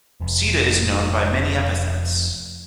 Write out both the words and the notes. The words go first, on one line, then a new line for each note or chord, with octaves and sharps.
Sita is known by many epithets.
F1 F2